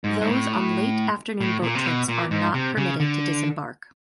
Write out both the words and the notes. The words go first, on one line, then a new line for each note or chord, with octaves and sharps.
Those on late afternoon boat trips are not permitted to disembark.
G#2
G#2
A2
A2
A#2
C3
B2
A#2
G#2
C3
C#3
D3